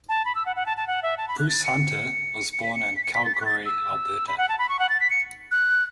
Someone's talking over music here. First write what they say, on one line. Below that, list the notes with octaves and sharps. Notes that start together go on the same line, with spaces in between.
Bruce Hunter was born in Calgary, Alberta.
A5
B5
E6
F#5
F#5
A5
A5
F#5
E5
A5
B5
F#6
A6
C#7
C#7
B6
C#7
B6
C#7
B6
A6
B6
F#6
A6
E6
B5
F#5
A5
B5
C#6
F#5
A6
B6
C#7
F#6